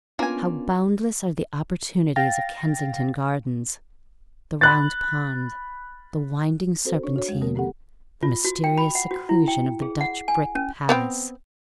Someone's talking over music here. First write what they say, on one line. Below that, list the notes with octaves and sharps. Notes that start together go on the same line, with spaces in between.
How boundless are the opportunities of Kensington Gardens--the Round Pond, the winding Serpentine, the mysterious seclusion of the Dutch brick Palace!
A#3 B3 C#4 D4 F4 G#5
F5 G5 A6 A#6
B5 F#6 A6
C4 F#4 A4 C5
D4 C#5
F#4 C#5
E2 G#3
D3 F3 A#3 A#4
B3 C4 G4 A4 F#5
F4
F#4
G5
B5
F#5
F#4
E4
G5
G#4
F#5
G#5
C#4
B3 C4 G5